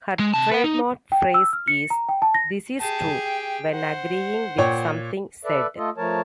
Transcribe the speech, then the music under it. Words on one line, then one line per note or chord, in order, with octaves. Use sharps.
Her trademark phrase is "This is true" when agreeing with something said.
G#3
C3 A5
B4 F#5
D#4
G5
E6
F6
C#7
A#5
G5
A5
A#6
G4 G#4 A5
G5
C5 F#5
A#2 C#5 G5
A4 B4 D5 E5
A3 F4 A4 D#5
F3 A3 A#4 C#5 A5